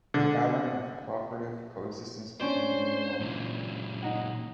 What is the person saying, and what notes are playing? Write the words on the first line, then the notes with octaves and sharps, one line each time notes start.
A pattern of cooperative coexistence became the new normal.
D3
C#4 D4 C5 D5
A#2 E3
D#4 F#5